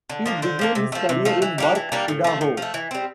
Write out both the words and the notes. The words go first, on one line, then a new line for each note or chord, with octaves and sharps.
He began his career in Burke, Idaho.
D3
F3 A#3 D4
D3 C5
F3 A#3 D4
C3
F3 A3
C3
F3 A3
E3
G3 A#3 D4
E3
G3 A#3 D4
A2
F3 A3
A2
F3 A3
E3
G3 C4